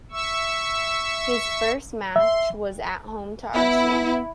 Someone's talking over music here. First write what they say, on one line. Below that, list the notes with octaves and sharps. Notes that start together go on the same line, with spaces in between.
His first match was at home to Arsenal.
E5 C#6 E6
E5 C6
B3 E4